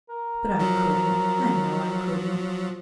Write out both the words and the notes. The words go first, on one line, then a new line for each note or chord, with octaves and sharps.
But I couldn't, I know I couldn't.
A#4
F3 F#3